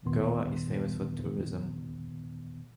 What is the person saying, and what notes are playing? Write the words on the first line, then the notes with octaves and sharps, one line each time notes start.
Goa is famous for tourism.
A1 D#2 A#2 D#3 B3 C6